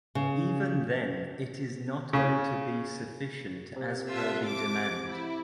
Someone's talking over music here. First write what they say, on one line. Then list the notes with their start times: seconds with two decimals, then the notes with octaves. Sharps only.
Even then it is not going to be sufficient as per the demand.
0.15 C#3
2.13 C#3
3.76 C3
4.09 F4 A4 E5
4.46 D6
5.09 E4